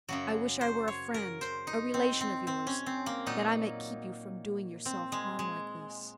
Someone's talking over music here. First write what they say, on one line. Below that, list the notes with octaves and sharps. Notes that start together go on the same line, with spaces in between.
"I wish I were a friend, a relation of yours, that I might keep you from doing yourself harm like this."
F#2 C#3 F#3 F#4
C5
C#5
A#4
C5
D#4
C4
C4
C4
C#4
C4
A#3
A#2 F#3 D#4
C4
G#3
G#3